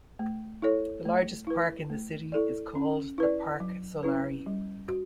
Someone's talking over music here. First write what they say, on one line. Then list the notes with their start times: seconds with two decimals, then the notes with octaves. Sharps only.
The largest park in the city is called the Parque Solari.
0.19 A3
0.62 E4 A4 C#5
1.05 A3
1.47 E4 B4
1.90 A3
2.32 E4 A4 D5
2.75 C#4
3.18 E4 B4 D5
3.60 F#3
4.03 C#4 E4 B4
4.46 G3
4.88 F#4